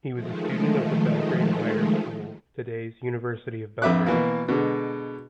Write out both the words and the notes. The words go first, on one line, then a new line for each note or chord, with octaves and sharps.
He was a student of the Belgrade Higher School, today's University of Belgrade.
D#3 F3 G#3 A3
A#1 F2 B4 E5 D6 F#6
B2 E3 A#3
B2 D3 G#3